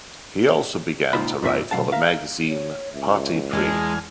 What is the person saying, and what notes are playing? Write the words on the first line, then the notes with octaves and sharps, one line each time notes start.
He also began to write for the magazine "Parti pris".
C#2 A#2 D#4 F4 C5 B5
F2 A#2 D#3 C4 E5
B2 F#3 F5 F#5 A5
A#4 E5 F5
C#5
C#2 E5
E2 G#3 G#5 A5 F6